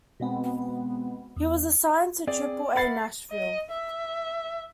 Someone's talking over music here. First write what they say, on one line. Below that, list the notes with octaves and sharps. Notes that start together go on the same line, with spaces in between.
He was assigned to Triple-A Nashville.
B2 G#3 B3 C4
E2
C4 G#4 D5
A#4 E5 F#5 B5 A6 C7
D#5
E5